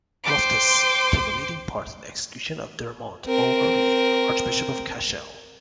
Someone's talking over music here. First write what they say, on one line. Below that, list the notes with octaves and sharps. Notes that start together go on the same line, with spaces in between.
Loftus took a leading part in the execution of Dermot O'Hurley, Archbishop of Cashel.
C5 G5 C6 D6
C4 A#4